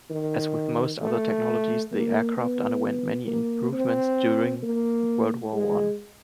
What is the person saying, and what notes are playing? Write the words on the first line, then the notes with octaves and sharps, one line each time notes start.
As with most other technologies, the aircraft underwent many improvements during World War One.
D#3
A3
A#3
B3
A#3
C4
A#3
G#3